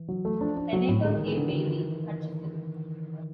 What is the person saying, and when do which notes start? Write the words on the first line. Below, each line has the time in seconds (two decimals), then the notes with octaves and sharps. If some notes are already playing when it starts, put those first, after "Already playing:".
Senator Kay Bailey Hutchison.
Already playing: E3
0.08 F#3
0.25 A3
0.41 F3 D4
0.57 D4
0.73 F#3
0.88 A2
1.04 D3 G#3
1.15 D#3
1.20 G#3
1.26 E3
1.36 D3 D#3
1.52 D3